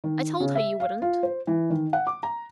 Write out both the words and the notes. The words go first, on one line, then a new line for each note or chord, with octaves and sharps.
I told her you wouldn't.'
D#3
C#3
E5
F5
F4
C5
E3
D#3
F#5
D6
A#5